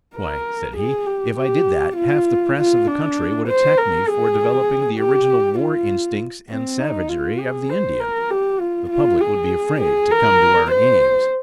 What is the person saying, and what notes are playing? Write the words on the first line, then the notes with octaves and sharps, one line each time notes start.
"Why," said he, "if I did that, half the press of the country would attack me for developing the original war instincts and savagery of the Indian! The public would be afraid to come to our games!"
A#4
G#4
G4
G4
F4
F4
D4
C5
A#4
G#4
G4
F4
C4
D#4
F4
G#4
C5
A#4
G4
F4
F4
G#4
G#4
A#4
C5